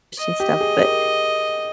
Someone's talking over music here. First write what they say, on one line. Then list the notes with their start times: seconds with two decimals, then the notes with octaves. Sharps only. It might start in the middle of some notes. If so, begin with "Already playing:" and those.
and stuff, but
0.18 D#5
0.40 G4
0.61 G#4
0.82 G4 A#4